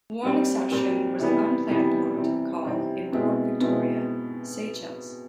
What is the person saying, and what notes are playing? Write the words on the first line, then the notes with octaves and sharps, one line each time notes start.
The one exception was an unplanned port call in Port Victoria, Seychelles.
A#2 G3 C4
A#2 G3 C4
C3 E3 G3 B3
C3 E3 G3 B3
C3 E3 G3 C4
C3 E3 G3 C4
B2 G#3 C4 E4
B2 G#3 C4 E4